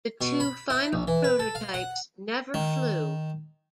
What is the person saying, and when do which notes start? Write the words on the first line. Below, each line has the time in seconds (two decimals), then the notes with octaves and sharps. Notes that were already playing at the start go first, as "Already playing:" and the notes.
The two final prototypes never flew.
0.21 B2
0.40 B5
0.70 E4
0.93 A#1
1.08 E3
1.24 B4
1.39 A4
1.55 F5
1.74 F#5
2.54 D#3